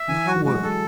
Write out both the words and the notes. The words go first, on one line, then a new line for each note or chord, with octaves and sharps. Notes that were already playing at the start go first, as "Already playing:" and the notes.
Not a word.
Already playing: E5
E3 G#5
F#4
F#3
G#3 F#4
F#3
G#3 A4